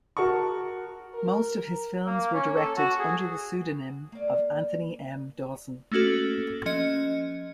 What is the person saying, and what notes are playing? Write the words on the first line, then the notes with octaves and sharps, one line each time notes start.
Most of his films were directed under the pseudonym of Anthony M. Dawson.
F#4 A#4 F#5 A5 C#6
A#4
A#3
C#4
A4
F#4
G#4
A#3 D5
A3 A#3 C#4 F#4 A4
F3 C#4 D#5 C#7